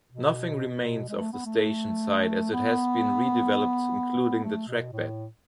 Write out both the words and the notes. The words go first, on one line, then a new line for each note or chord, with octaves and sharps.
Nothing remains of the station site as it has been redeveloped including the trackbed.
B2
G#3
A3
B3
A3
B3
A3
B2
A2